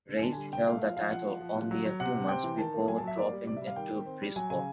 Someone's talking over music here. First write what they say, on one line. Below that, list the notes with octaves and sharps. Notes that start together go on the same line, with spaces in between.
Race held the title only a few months before dropping it to Brisco.
D3
G#5
D3 A5
G3 G#5
C3 G5
A3 F5
F3 F5
F3 F5
F3 F#5
F3
F3
F3
F#3
F#3
C3 F#5
C3
C4 G5
E3
D#3 A5
A#3
F#3 G#5
A5
F#3 E5
A#3 D5
G3
C3 D5
E5
G3
F5
D#3 G5
D#3
C4
G3
F#3 G#5
C#3 G#5